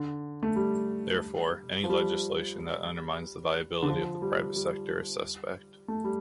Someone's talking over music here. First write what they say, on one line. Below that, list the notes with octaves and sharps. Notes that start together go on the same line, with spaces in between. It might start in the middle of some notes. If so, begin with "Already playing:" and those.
Therefore any legislation that undermines the viability of the private sector is suspect.
Already playing: D3
A3
G3
F3
G3
D3
F3
G3
G3
A3
G3